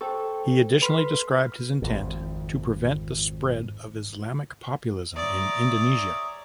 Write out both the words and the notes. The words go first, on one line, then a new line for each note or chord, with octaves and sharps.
He additionally described his intent to prevent the spread of Islamic populism in Indonesia.
A4 C5 G5 C#6
B4 B5 C6 F6
G#1 F2
G#4 C#5 D5 E5 A#5